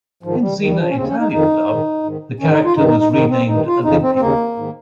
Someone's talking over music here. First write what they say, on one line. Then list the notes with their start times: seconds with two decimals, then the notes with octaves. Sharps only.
In Xena Italian dub, the character was renamed "Olimpia".
0.23 G#2 D#3 F3
0.41 G3
0.59 D#2 D#3
0.69 G3
0.77 F3
0.90 C#4
0.96 D#2 C#3 C4
1.07 C#4
1.19 D#4
1.32 F2 D#3 D#4
1.67 G#2 D#3
2.03 G#2 D#3
2.40 G#2 D#3 C#4
2.52 D#4
2.65 F4
2.76 G2 D#3 D#4
2.88 D#4
3.00 D#4
3.12 G#2 D#3 D#4
3.30 C4
3.48 G2 D#3 D#4
3.67 F4
3.84 F2 C#3 D#4
4.02 C4
4.15 C4
4.20 D#2 C#3 A#3
4.56 G#2 D#3